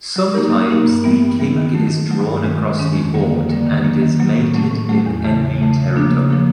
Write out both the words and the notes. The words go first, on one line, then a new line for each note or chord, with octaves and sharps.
Sometimes the king is drawn across the board and is mated in enemy territory.
F#3
A#3 D#4 G4 A#4
F#3
A#3 D#4 G4 A#4
G2
E3 G3 B3
G2
E3 G3 B3
D#3
F#3 A3
D#3
F#3 A3
G2
D#3 G#3 C#4
G2
D#3 G#3 C#4
F2
D3 G3 A#3
F2
D3 G3 A#3
D#3
F#3 A#3
D#3
F#3 A#3
A2
F#3 A3 C#4
A2
F#3 A3 C#4
E2
C#3 E3 A3
E2
C#3 E3 A3
C#3
F3 A#3 D4
C#3
F3 A#3 D4